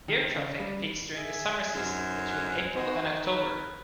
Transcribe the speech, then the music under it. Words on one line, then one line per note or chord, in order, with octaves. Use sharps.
Air traffic peaks during the summer season, between April and October.
D#3
C#3
G3
G#4 E5 G#5
F#2 D#4 C5
D#3 F#4 C5 D#5
A#4 B4